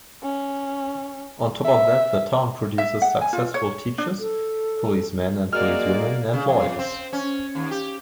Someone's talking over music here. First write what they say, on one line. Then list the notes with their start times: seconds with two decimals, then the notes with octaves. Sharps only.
On top of that, the town produces successful teachers, policemen and policewomen, and lawyers.
0.23 C#4
1.65 E5
2.78 E5
3.02 F#5
3.21 G#5
3.33 F4
3.54 C#5
3.98 D4
4.19 A4
5.53 G#3 A#3 F#4 D5 F6
6.33 C#3
6.49 F2
6.79 C4
7.13 C#4
7.55 D#2
7.71 G4